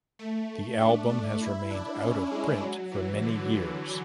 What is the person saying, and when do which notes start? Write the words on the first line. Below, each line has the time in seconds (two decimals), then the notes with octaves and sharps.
The album has remained out of print for many years.
0.19 A3
0.80 D4
1.10 D4
1.41 E4
1.71 D4
2.01 C#4
2.32 G#3
2.62 F#3
2.92 E3
3.22 D3
3.54 E3